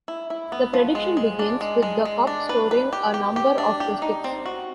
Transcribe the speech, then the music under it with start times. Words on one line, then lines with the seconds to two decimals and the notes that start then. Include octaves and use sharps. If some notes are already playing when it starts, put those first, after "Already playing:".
The prediction begins with the cup storing a number of the sticks.
0.08 E4
0.30 E4
0.52 B3
0.74 F3
0.95 G#3
1.17 G#3
1.39 D4
1.61 G#3
1.82 G#3
2.05 G#3
2.27 D4
2.49 B4
2.71 B4
2.93 G4
3.14 G4
3.36 G4
3.58 D4
3.80 G4
4.02 D#4
4.24 C4
4.46 F#4